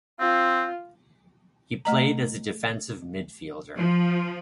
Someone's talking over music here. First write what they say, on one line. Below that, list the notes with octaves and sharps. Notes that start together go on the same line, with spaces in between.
He played as a defensive midfielder.
C4 F4
A3 D#5 A#5
F3